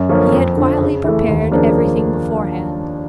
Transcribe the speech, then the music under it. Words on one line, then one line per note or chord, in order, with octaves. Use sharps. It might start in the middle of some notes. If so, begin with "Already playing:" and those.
He had quietly prepared everything beforehand.
Already playing: F#2
D3 F3 A#3 C#4
F2
D3 F3
C#3
E3 A3
D#2
C#3 F3 A#3 D4